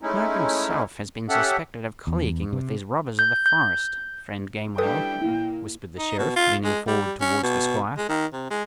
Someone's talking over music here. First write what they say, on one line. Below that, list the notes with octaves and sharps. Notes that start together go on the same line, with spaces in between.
"The clerk himself has been suspected of colleaguing with these robbers of the forest, friend Gamewell," whispered the Sheriff, leaning forward towards the Squire.
G#3 A3 C#4 D#4 E4
C#4 G4 A4 E5 F#5
E2
C3
G6
G6
G3 D4 E4 A4 B4 G5 D#6
A#2 A#3 E4
D#4
B2
F4
G#3
G3
C#4
B2
G#3
D#3
C3
G#3